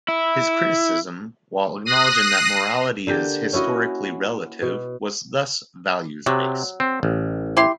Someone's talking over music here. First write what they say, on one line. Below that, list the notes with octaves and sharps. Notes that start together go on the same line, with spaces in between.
His criticism, while acknowledging that morality is historically relative, was thus values-based.
E4
D#6 F#6 A#6 C7 D#7
D3 A#3 G4 G5
C#4 E4 F#4 D#5
B2
C3 F#3
C4
A1
E4 G4 C6